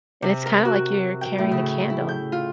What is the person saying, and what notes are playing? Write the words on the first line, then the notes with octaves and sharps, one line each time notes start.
and it's kinda, like, you're carrying the candle,
C3
A#4
F#4
G5
A2
C#3
E4
G6
F4